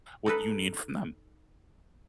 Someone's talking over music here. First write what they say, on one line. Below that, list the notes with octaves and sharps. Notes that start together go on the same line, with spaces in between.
what you need from them.
D#4 A4 B4